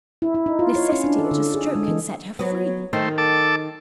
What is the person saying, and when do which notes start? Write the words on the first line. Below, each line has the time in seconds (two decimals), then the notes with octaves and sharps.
Necessity at a stroke had set her free.
0.22 E4
0.35 E4
0.46 D#4
0.59 F4
0.76 C#5
0.92 C#4
1.04 D4
1.18 A4
1.31 D3
1.54 G#4
1.75 G#3
1.88 E3
2.39 F#3 B3
2.93 D#3 A3 C5
3.18 A4 A5 D6